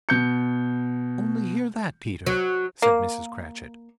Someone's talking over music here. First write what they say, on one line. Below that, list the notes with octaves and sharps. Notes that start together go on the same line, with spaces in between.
"Only hear that, Peter," said Mrs. Cratchit.
B2 G6 C#7
F#3
A#3